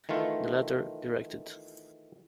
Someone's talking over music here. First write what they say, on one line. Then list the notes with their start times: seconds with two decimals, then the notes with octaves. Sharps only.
The latter directed.
0.09 D#3 E3 A3 F4